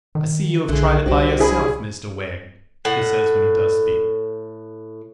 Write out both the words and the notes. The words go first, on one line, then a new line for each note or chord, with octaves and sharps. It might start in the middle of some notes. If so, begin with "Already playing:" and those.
'I see you have tried it by yourself, Mr Wegg,' he says when he does speak.
D#3
B1 D3 G#4 E5 F#6
C2 D4 D#4 F#4 G4 C5
E4 G#4 B5
A2 F#5